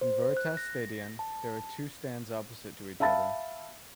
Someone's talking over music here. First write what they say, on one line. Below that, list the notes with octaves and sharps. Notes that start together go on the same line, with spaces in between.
In Veritas Stadion there are two stands opposite to each other.
C5
F#6
A#6
A5
E5 F5 A5 B5 A6